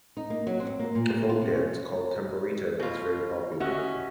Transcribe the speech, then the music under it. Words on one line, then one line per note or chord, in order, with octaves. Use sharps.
A folk dance, called "tamborito" is very popular.
D#4
A#3
F#3
C4
A#3
A#2
A#3
F4
C3
C#4
B2 F4
C#4 F#4 G4 D#5 E5